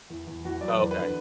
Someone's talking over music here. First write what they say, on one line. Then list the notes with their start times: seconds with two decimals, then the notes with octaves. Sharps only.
Oh, okay.
0.10 E2
0.27 E2
0.45 E2 F#4
0.61 F#3 D5
0.68 B4
0.79 E2
0.91 B4
0.97 D3